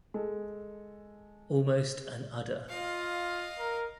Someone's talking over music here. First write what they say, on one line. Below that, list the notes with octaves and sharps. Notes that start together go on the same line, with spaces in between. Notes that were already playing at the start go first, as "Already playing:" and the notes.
Almost an udder.
G#3 A4
F4 D#5 F5
A#4